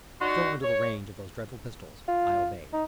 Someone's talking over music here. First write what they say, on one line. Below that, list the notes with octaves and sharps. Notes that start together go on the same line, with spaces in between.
Still under the range of those dreadful pistols, I obeyed.
D#4 F#4 D5 C6
C#5
F4
D#4